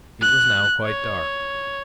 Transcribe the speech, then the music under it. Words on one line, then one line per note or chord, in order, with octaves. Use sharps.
It was now quite dark.
F#6
C#5